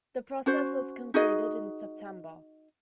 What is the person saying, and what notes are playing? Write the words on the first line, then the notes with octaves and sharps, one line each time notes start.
The process was completed in September.
C#4 F#4 C5
D#4 F#4 G#4 D#5